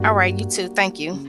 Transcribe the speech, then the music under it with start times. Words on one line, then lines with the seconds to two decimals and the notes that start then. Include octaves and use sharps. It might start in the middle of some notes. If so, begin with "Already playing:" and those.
All right, you too. Thank you
Already playing: G2 G3 A#3 D4 F#4
1.13 C#3